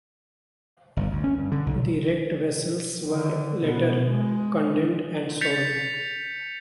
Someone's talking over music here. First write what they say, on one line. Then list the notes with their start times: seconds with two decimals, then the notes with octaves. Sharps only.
The wrecked vessels were later condemned and sold.
0.97 G1
1.11 D2
1.24 C#4
1.39 G2
1.52 D3
1.66 B1
3.07 D3
3.65 B2
4.08 G#3
5.41 G6 A6 B6 C#7 F7